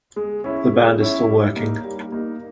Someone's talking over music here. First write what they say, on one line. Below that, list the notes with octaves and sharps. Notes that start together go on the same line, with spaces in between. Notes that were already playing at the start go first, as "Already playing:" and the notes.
The band is still working.
G#3
C#4 E4
G#3
C#4 E4
G3
A#3 D#4
G3
A#3 D#4